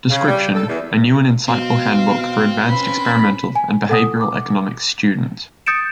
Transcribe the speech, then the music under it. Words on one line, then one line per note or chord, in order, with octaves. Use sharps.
Description: A new and insightful handbook for advanced experimental and behavioral economics students.
C#3
G3
A4
E2
B2 C4 F5
C#4 B4 B5
G#5
A4 F#5 D#6
D6
D#6 G6 A6 C#7 D7 E7